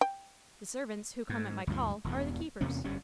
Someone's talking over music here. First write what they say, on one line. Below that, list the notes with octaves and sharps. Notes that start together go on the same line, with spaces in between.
The servants who come at my call are the keepers.
G5
G#2
D2 G2 F3
E1 E2 G2
E2 C3 A#3 C#4
G1 F2 G3 C#4